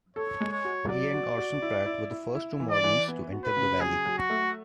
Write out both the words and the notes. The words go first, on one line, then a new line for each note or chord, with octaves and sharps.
He and Orson Pratt were the first two Mormons to enter the Valley.
A4 C#5
G#3
C#5
F#4
F#3 D5
F#4
F#4
E4
E4
E4
E4
E3
D5
E3
B3
F#4
B4
C#3
F#3 G#4
F#3
F#4
A3